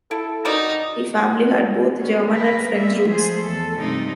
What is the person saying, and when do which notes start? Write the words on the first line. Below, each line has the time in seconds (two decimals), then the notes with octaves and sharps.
The family had both German and French roots.
0.11 E4 A4
0.45 C4 D#4 F#4 A#4 D5
1.98 B3 C#4
2.30 A#4 B4
2.75 G3 G#3 A#3 E5
3.08 F3 A3 G#4 C5
3.43 E2 A4
3.76 G2 C3 F3 A3 D#4